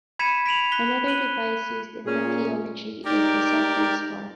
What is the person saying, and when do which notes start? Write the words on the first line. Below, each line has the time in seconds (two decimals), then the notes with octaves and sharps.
Another device used in tacheometry is the "subtense bar".
0.19 B5 G#6 B6 C#7 D#7 E7
0.46 B6 D7 F7 F#7
0.72 F#6 B6 G7
1.07 F#6 D#7 F#7 G7
2.06 A#2 C#4 G#4
3.05 D#4 G4 A#4 D5